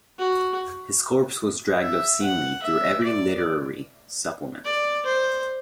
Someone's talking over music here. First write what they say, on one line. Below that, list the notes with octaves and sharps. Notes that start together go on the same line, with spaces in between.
His corpse was dragged obscenely through every literary supplement.
F#4
E5
F#5
E5
D5
D5
C5